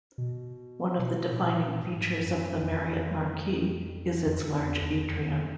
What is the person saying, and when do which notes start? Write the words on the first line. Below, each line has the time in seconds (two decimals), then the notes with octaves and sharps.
One of the defining features of the Marriott Marquis is its large atrium.
0.18 B2
0.99 B2
1.31 A2
1.40 A#2
1.81 G#2
2.22 F#2
2.62 F2
4.26 F2
4.53 E2
4.81 E2
5.07 F2